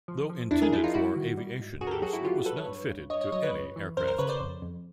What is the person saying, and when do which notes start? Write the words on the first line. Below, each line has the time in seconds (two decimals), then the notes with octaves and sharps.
Though intended for aviation use, it was not fitted to any aircraft.
0.08 F3
0.29 F3
0.51 E2 D4 E4
0.62 G#4 A#4
0.72 F3 D4 E4
0.84 D#4 F4
0.94 G3 E4 F#4
1.16 D#3
1.37 G3
1.60 G#2
1.81 G2 F#4 G#4
1.87 A#4
1.91 G4 A4
2.02 F#3 F#4 G#4
2.13 E4 F#4
2.24 F#3 F4 G4
2.46 F#3 A4 B4
2.57 B4 C#5
2.68 G2
2.89 G2
3.10 G2 C#5 D#5
3.21 C#5 D#5
3.32 F#3 C#5 D#5
3.43 B4 C#5
3.53 F#2
3.76 E3
3.97 F#2 A#4 C5
4.08 A#4 C5
4.18 C#3 B4 C#5
4.29 C5 D5
4.40 F2
4.62 F2